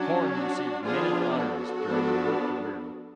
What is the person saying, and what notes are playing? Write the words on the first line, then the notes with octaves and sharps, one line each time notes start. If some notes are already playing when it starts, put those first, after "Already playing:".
Horne received many honors during her career.
Already playing: F#3 C#4 D4 F#4
D4 F#4
F3 B3 D4 F4 G#4
F#4 A4
F3 B3 D4